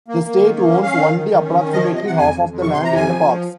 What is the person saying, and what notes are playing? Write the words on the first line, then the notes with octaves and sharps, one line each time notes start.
The state owns only approximately half of the land in the parks.
A#3
A#3
D#3
A#3
C#4
C#4 F5
D#3
D#3
D#3
C#4
D#3
F3 D#5
C#5
C3
D#5
C3 F#5
F2 G#5
F2
F2
C3 C#6
C6
C3
A#5
F2 G#5
F3
F3